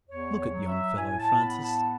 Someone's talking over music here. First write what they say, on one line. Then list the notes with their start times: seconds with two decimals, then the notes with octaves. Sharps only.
Look at yon fellow, Francis!
0.08 E2 C#5
0.38 C#5
0.52 F#3
0.68 E5
0.96 A2 G#5
1.19 A5
1.40 B3 B5
1.63 A5